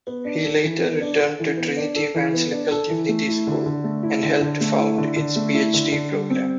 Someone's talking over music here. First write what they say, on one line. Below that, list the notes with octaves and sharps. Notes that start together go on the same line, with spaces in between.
He later returned to Trinity Evangelical Divinity School, and helped found its Ph.D. program.
B3
D4
A4
E3
B3
D4
A4
E3
B3
D4
A4
E3
B3
D4
A4
E3
A3
E4
D3
D3
A3
E4
D3
D3
A3
E4
D3
D3
A3
E4
D3
D3
G3
C4